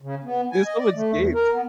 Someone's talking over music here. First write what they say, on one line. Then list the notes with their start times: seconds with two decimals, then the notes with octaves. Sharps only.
There's so much games.
0.02 C#3
0.24 B3
0.52 G#5
0.66 D#5
0.79 D5
0.95 A3
1.13 E2
1.34 A#4
1.53 B3